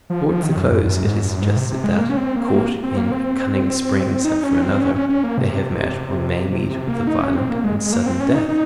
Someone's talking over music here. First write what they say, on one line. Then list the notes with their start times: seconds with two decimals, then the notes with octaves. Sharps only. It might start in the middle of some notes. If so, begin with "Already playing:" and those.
Towards the close it is suggested that, caught in a cunning spring set for another, they have met, or may meet, with a violent and sudden death.
0.10 F3
0.29 F3
0.43 D#3
0.57 F#2
0.71 F#2
0.85 F#2
1.04 G#2
1.23 F#2
1.42 G#2
1.56 C3
1.70 C3
1.84 G#3
1.98 A#3
2.10 C#4
2.17 C4
2.36 A#3
2.48 C4
2.55 A#3
2.83 C4
2.97 A#3
3.12 C4
4.25 D#4
4.44 C#4
4.62 C4
4.81 C#4
4.95 C#4
5.09 C#4
5.24 A#3
5.38 C3
6.51 C3
6.70 C3
6.88 A#3
7.07 D#4
7.21 C#4
7.36 C4
7.50 A#3
7.64 G#3
7.78 G#3
7.93 A#3
8.06 C4
8.20 C#4
8.35 D#4
8.49 D#4